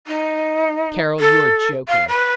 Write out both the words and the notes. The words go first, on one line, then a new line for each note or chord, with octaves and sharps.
"Carol, you are joking."
D#4
A4
F5
B4